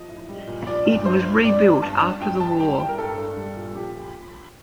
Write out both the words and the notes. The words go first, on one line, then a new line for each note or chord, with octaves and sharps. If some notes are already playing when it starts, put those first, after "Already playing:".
It was rebuilt after the war.
Already playing: F3 D#5
A2
G3
A#2
F3 D5
G2
G2 C5
G2
F2 D5
F2
G2 A5
G2
F2 G5
F2 A5
G3 G5
A2 G5
A#4
G2 A4
G2
G3
A#2
F3 G4